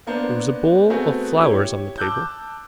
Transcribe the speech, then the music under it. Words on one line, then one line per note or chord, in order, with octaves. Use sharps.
There was a bowl of flowers on the table.
A#3 B3 D4 C5
A3 B3 C4 F#4 G#4
E4 G4 C#5
A5 D6 E6 F#6 G6